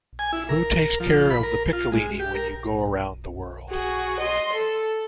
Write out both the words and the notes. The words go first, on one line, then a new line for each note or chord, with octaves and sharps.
Who takes care of the piccolini when you go around the world?
G#5
E4
A#4
F3
B5
A#4
F4
G#3
G4
A#4
F#4 G#4
D#5 C6
A4